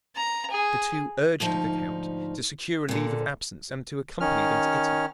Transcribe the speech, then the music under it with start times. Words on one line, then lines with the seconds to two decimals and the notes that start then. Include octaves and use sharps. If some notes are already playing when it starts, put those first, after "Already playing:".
The two urged the count to secure a leave of absence and to accompany them to Italy.
0.16 A#5
0.51 G#4
1.40 D2 G#2 F3 D#4
2.89 A#2 D3
4.20 D#3 C#4 F6